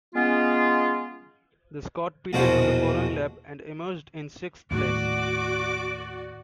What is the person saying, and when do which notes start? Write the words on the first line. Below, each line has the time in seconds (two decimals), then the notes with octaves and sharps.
The Scot pitted on the following lap and emerged in sixth place.
0.15 G#3 B3 C#4 F4
2.33 A#1 E2 B2 A#3 F#4 C5
4.71 D#2 A2 F#4 D5 D6